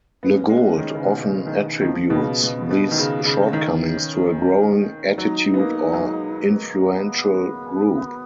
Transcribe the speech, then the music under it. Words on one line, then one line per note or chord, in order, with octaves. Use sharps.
LeGault often attributes these shortcomings to a growing attitude or influential group.
B3 C#4
G#3
D#3
C#3
B2
D#3
D#3
F3 B3
B2
C#3
B2
B2
D#3
C#3
C#3
B3
D#3 C#4
F#3 D#4
B3
A#3
F#3
G#3
B3